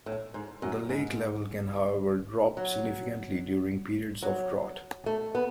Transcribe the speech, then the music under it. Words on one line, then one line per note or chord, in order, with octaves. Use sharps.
The lake level can, however, drop significantly during periods of drought.
A2
G#2
F#2
G#2
F#3
F#3
A3
B3